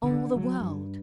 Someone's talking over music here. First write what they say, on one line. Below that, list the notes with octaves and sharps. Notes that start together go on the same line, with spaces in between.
All the world!
D3
F#3
G2